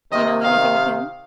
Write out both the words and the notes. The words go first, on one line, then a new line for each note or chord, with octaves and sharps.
Do you know anything of him?
C3 D#3 D#5
C3 D#3 F5